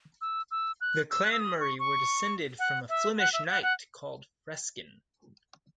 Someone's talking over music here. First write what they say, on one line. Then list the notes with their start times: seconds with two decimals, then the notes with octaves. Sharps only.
The Clan Murray were descended from a Flemish knight called Freskin.
0.21 E6
0.51 E6
0.81 F#6
1.11 E6
1.24 F#6
1.32 E6
1.40 D#6
1.60 C#6
1.79 C#6
2.59 F#5
2.89 E5
3.18 F#5
3.33 E5
3.49 F#5
3.63 F#5